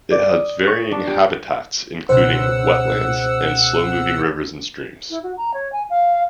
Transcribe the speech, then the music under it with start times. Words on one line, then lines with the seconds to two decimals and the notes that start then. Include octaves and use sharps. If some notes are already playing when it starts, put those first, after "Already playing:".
It has varying habitats including wetlands and slow-moving rivers and streams.
0.12 D5
0.29 D#6
0.67 C#6
0.91 D4
1.07 G4
2.09 C#2 B2 C5 F#5 E6 F#6
5.10 E4
5.23 F#4
5.37 A#5
5.54 C#5
5.73 G#5
5.90 F5